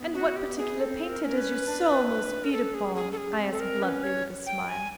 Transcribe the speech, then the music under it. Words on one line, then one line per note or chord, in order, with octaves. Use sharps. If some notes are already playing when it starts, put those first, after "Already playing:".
'And what particular painter does your soul most feed upon?' I asked bluntly, with a smile.
Already playing: B3
F#4
G4
G#4
C4 A4
A#4
C#4 A#4
B4
D4
D4
A#4
C#4 A4
G#4
G#4
A4
G#4
C4
A4
A#4
C#4 B4
C#5
G5
G#5